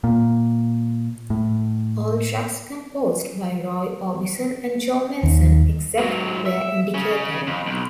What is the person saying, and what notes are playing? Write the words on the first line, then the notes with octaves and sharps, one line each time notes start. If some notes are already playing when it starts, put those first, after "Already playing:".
All tracks composed by Roy Orbison and Joe Melson, except where indicated.
A#2
A2
D#2
G#2 F#3
E5
C#3 C#4
F2
B1